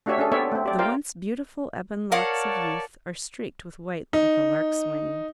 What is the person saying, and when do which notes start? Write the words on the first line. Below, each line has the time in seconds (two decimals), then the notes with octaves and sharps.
The once beautiful ebon locks of youth are streaked with white like a lark's wing.
0.06 A3 D4 F#4 G4 C#5 E5
0.18 C#4 D4 G#4 A4
0.32 B3 C4 A4 C#5 D5 E5
0.52 A3 C4
0.66 G4 D5
0.78 F4 A#4 C5 D5 F5 G5
2.12 A#4 C#5 D5 F5 F#5 A5
4.13 D#4